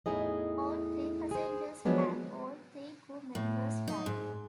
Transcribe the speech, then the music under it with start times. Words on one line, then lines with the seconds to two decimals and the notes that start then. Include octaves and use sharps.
All three passengers and all three crew members died.
0.06 E2 A2 D#4 E4 G#4 D#5
1.31 G#4 C5
1.85 D#3 F3 F#3 G#3 B3 D4
3.35 A2
3.88 D#4
4.06 G#2